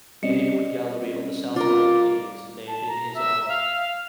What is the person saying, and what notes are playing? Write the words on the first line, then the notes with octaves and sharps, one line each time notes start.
The Hayward Gallery on the South Bank is named in his honour.
G3 C4 C#4 D5 D#5 C#7
F4 A#4 D6
A5
A#5
E5
F5